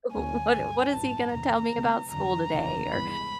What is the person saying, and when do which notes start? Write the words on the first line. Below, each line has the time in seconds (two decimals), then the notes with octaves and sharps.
"What what is he gonna tell me about school today," or,
0.13 D2 D3 F#3 A#3 C#4 G#5
0.53 G2 D3 G3
0.92 A1 G2 E3 A5
1.32 E2 C3 D#3 A#5
1.73 D2 C3 F3 G#3 B3
2.12 F2 D3 F#3 A#5
2.52 F1 D#2 C#3 E3
2.92 G2 E3 G#3 B3 B5